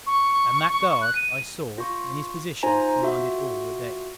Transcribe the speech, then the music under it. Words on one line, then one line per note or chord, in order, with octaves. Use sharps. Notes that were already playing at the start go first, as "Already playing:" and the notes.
And that guard, I saw, in his position, commanded all the deck.
C#6
F#6
D#7
F4 C#6
D#4 F4 C5 G#5 A#5
F4 F#4 E5